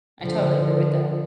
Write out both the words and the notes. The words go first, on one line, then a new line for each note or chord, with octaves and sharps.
I totally agree with that.
D3 F3